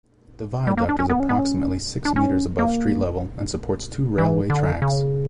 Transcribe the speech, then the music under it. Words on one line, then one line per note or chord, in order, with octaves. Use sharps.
The viaduct is approximately six metres above street level and supports two railway tracks.
G3
A#3
D4
C#4
B3
C#4
B3
C#4
D4
C#4
A#3
E3
D3
C#3